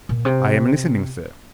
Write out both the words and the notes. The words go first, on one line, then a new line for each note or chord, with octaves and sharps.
"I am listening, sir."
A#2
C3